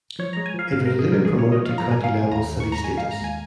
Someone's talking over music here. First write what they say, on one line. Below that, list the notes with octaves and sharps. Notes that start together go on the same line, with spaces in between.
It was later promoted to county-level city status.
F3 C#5
G#3 A#5
G#5
F3 F5
G#2 F5
G#2 A#4
G#4
F3 A#4
G#2 G#4
F3 C#5
D#5
F3 F5
G#2 A#5
G#2 G#5
F5
G#2 G#5
D#2 A#5
D#2
C#6
D#2
A#5
G#3 G#5
G#3 F5
A#5
D#2 G#5